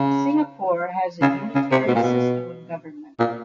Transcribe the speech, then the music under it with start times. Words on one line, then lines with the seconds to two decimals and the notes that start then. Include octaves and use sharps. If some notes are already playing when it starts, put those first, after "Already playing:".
Singapore has a unitary system of government.
Already playing: C#3
1.22 C#3
1.55 C#3
1.72 C3
1.88 B2
1.95 A#2
2.03 B2
3.19 A#2